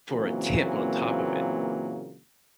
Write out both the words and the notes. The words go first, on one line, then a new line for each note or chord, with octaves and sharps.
for a tip on top of it?
A#2 C#3 E3 F#3 A#3 C4